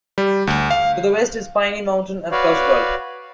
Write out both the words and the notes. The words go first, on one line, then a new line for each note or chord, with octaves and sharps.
To the west is Piney Mountain and Frostburg.
G3
D2
F5
F#4 B4 C#5 D5 F5